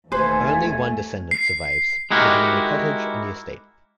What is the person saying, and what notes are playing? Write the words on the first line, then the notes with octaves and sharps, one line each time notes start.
Only one descendant survives, living in a cottage on the estate.
E1 D#2 A3 B4 C5 G#5
C7
G#3 D#4 E4 F#4 G4 A#4